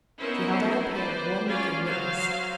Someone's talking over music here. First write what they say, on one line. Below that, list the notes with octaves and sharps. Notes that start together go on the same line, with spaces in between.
She held out a pair of warm-looking mittens.
B3 C#4 D#4 E4 A#4 C5
B4 C5 D5
C#4 F4 D5 F5
F#3 C5 F5